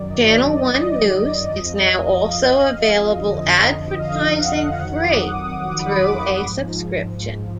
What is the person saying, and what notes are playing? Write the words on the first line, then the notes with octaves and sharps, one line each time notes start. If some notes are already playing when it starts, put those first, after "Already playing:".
Channel One News is now also available advertising-free through a subscription.
Already playing: F#2 D#3 F#3 D5
D#5
D5
D#5
D5
D#5
F2 F3
F5
D#5
F2 D3 F3
D#5
F5
F#5
F2 D#3 F#3 F#5
D6
D#6
D#6
D#6
D6
B5
D6
D6
G#2 F3